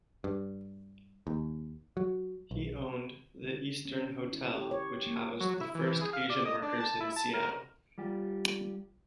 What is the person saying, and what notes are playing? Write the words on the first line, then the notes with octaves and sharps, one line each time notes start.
He owned the Eastern Hotel which housed the first Asian workers in Seattle.
G2
D#2
F#3
B1
D3
C#4
E4
G4
C#5
A#3
F#3
E4
E3
G#4
F5
D5
D#5
D4
A5
E4
A5
A#4
G3 F4 G4